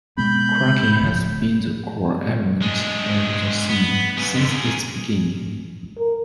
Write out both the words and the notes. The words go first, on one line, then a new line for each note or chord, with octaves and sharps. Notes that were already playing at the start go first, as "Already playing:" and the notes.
Cracking has been the core element of The Scene since its beginning.
B2 G#3 B3 B5 G6
D1 D3 F3
G#3 D4
B3
C#3 B3
F2 D3
G#4 A#4
A#4